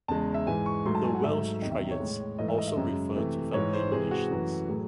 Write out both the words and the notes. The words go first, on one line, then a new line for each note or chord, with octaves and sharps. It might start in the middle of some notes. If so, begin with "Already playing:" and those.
The Welsh Triads also refer to family relations.
E2 C#3 G#3 A5
E5
G#2 E3 G#3 G#5
C#6
G#2 F#3 A3 C6
A5
G#5
F#5
G#2 F#3 A3 E5
E2 C3 D#3 D#5
E5
C#5
A2 G#3
G#2 E3 A3 D#5
E5
D#5
E5
F#2 C#3 G#3
C3 E3 A3
G#2 E3 G#3 C#5
C5
C3 E3 G#3 G#4
F#4
F#2 E3 A3
A2 F#3 A3 G#4